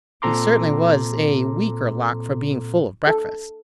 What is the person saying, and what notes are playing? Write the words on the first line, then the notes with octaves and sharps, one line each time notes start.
He certainly was a weaker lock for being full of breakfast.
A#2 C4 A4 A#5 C6 D6
A4